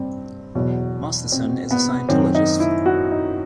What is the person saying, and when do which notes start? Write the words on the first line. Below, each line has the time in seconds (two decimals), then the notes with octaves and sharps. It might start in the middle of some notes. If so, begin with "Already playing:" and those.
Masterson is a Scientologist.
Already playing: G2 C4
0.55 E2 B2 F#3
1.32 C4
1.71 B3
2.09 F#2 D#3 F#3 C4
2.35 D#4
2.60 E4
2.86 F#4
3.11 D#4